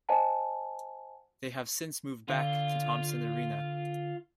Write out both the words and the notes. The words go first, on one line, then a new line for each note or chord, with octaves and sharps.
They have since moved back to Thompson Arena.
C5 D#5 F#5 G#5 A5
D3 F4 F5